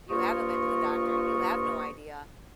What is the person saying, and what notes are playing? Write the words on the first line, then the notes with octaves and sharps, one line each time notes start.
You haven't been to the doctor, you have no idea,
G2 F3 A#3 F4 D#5 C#6